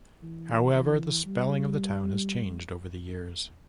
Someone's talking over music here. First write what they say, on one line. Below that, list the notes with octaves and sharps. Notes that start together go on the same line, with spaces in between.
However, the spelling of the town has changed over the years.
E3
E3
G3